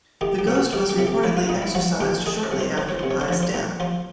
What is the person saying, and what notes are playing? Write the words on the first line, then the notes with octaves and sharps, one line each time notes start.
The ghost was reportedly exorcised shortly after Pye's death.
D#3 G4
G4
C3
F#4
D#3 G4
G4
C3
G4
F3 E4
F4
A#2 D#4
E4
F3 F#4
A#2 G4
D#3 G#4
D5
C3
C5
D#3 C5
C#5
C3 C5
C#5
C5
F3 C#5
C5
A#2
F3 C5